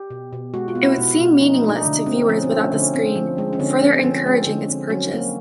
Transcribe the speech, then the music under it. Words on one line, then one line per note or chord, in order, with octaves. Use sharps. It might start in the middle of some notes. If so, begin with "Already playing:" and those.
It would seem meaningless to viewers without the screen, further encouraging its purchase.
Already playing: G4
B2
B2
G#3 F#4
F4
B3
E4
B2
B2
F3 D#4
D4
A3
D#4
D3
C4
F3 C#4
C4
A3
C#4
D3 C#4
C4
F3
G#3
C#4
D3 C4
C4
C4
F3 C#4
G#3
D3
C4
F#3 C#4
A#3